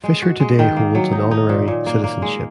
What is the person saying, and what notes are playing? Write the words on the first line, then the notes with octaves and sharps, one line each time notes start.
Fischer today holds an honorary citizenship.
G#3
F#4
G#3
D#3
A#3
F#3
D#4
D#4
A#2
A#2
A#3
A#3
G#3